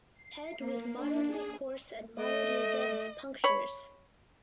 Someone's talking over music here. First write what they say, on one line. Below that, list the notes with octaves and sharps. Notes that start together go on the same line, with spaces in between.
Head with moderately coarse and moderately dense punctures.
C7
A#3
D4
G#4
A3 D#5
C#5 B5